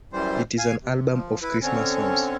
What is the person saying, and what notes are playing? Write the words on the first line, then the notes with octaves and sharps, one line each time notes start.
It is an album of Christmas songs.
F#2 E3 G3 C5
F5 G#5
C3
F3
E4 B4
D3 C4 C#4